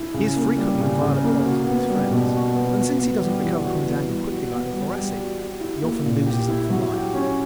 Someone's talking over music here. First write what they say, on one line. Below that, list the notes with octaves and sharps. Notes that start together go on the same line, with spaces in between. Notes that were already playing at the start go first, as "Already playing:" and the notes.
He is frequently in violent quarrels with his friends, and since he does not recover from his anger quickly like the Thoracic, he often loses them for life.
Already playing: E4
C#3
A#3
G3
C#3
C#3
A#3
F#4
B3
G3
B2
F#4
B3
F#4
B3
G3
E3
F#4
B3
G3
F#4
B3
G3
G3
F#4
G4
E4
A#3
A#2
G4
E4
F#3
G4
C#4